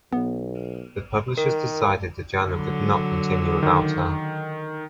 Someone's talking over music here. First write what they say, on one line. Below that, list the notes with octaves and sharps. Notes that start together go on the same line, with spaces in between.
The publishers decided the journal could not continue without her.
B1 B3
D#3 A#4
D3 F#3
D#3